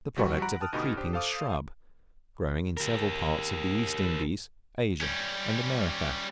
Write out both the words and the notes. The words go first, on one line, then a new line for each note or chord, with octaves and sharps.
The product of a creeping shrub, growing in several parts of the East Indies, Asia, and America.
A1 F3 G3 F#4 C#6
F#5 A#5 B5 F#6 D7
G5 A5 D#6 F6
D2 B2 D#4 G4 B5
D4 G4 C5
A4 C5 F5 D6 D#6
G4 A#4
G3 C#4